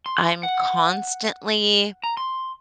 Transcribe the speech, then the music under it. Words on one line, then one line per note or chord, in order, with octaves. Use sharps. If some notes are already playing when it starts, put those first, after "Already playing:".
I'm constantly
C6
F#5
A#5
C6